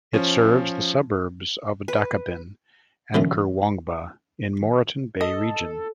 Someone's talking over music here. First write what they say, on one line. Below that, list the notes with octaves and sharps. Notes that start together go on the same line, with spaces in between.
It serves the suburbs of Dakabin and Kurwongbah in the Moreton Bay Region.
F3 C#4
B4
F#2 B2 D3 E3
A4 D#5